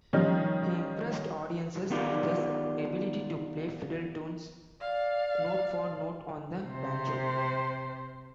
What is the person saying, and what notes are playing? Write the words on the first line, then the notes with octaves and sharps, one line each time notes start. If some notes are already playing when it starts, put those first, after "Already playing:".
He impressed audiences with his ability to play fiddle tunes note-for-note on the banjo.
D#3 F3 G3 C#4 D#4
D#3 B3 D#4 F4 G4 D5
D5 F5
C3 C5